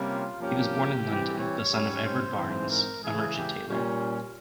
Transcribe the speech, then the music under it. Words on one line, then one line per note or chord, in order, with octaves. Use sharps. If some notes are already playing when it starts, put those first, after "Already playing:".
He was born in London, the son of Edward Barnes, a merchant taylor.
Already playing: C3 G3 A#3 C#4
F4
G2 F3 A#3 C#4 G4
E3 G3 C4
C#5
G#2 G3 C#4
C5
G#2 E3 G#3 C4
A#4
C#3 E3 G#3 G#4
G4
A#2 G3 C#4